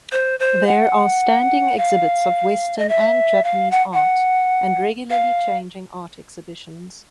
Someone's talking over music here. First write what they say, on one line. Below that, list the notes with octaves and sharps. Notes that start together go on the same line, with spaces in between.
There are standing exhibits of Western and Japanese art and regularly changing art exhibitions.
C5
C5
F#5
F5
D#5
E5
F5
F#5
F#5
F5